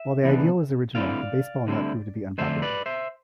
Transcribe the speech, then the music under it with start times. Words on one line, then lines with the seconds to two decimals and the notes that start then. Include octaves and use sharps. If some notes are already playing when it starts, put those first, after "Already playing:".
While the idea was original, the Baseball Nut proved to be unpopular.
Already playing: E5
0.24 C3 E3 B3 D4
0.95 D2 D3 G3 C4 E4 D5 F5
1.67 D2 D3 G3 C4 E4
2.38 F2 D3 A3 D4 C5 E5
2.62 B4 D5
2.86 C5 E5